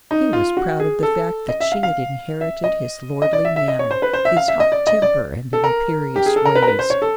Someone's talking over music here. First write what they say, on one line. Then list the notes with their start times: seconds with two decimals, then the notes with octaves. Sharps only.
He was proud of the fact that she had inherited his lordly manner, his hot temper, and imperious ways.
0.11 D#4
0.33 F4
0.57 F#4
0.80 G#4
1.03 A4
1.49 D#5
1.60 E5
1.72 F5
1.83 F5
2.41 E5
2.64 D#5
3.22 D#5
3.33 D5
3.45 E5
3.56 E5
3.68 D#5
3.79 C#5
3.91 C5
4.02 B4
4.13 C5
4.25 E5
4.37 F5
4.48 E5
4.60 D#5
4.72 D5
4.87 D#5
5.02 D5
5.53 A4
5.64 A#4
6.16 G4
6.26 G#4
6.36 A4
6.45 A#4
6.55 B4
6.62 A#4
6.67 B4
6.79 C5
6.90 C#5
7.02 A4